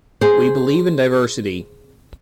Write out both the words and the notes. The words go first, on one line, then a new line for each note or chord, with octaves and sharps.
We believe in diversity.
G#4 C5